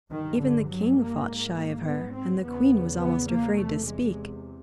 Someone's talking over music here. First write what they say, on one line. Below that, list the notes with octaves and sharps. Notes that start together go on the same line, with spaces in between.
Even the king fought shy of her, and the queen was almost afraid to speak.
G2 D#3
D3
F#3
A#3
G#2
A#3
B3
C4
E2 C#3 B3
B3
A#3
E2 C3 A3
G#3